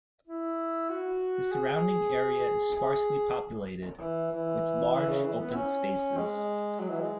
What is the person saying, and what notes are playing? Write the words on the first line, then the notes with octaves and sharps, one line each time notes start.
The surrounding area is sparsely populated, with large open spaces.
E4
F#4
G#4
G#4
E3
E3
E3
C#3
E3
B3
E4
C#4
G#3
F#3
E3
G#3